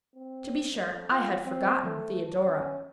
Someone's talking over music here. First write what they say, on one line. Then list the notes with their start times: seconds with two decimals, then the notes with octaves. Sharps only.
"To be sure; I had forgotten Theodora."
0.16 C4
0.72 F2
1.11 F4
1.45 C4
1.84 A3
2.47 C#4